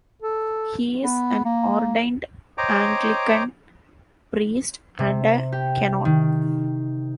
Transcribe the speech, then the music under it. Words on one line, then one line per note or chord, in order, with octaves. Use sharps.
He is an ordained Anglican priest, and a canon.
A4
B3
A#3
C5 C#5 D#5 G5 A#5 D6
C3
G4
D#3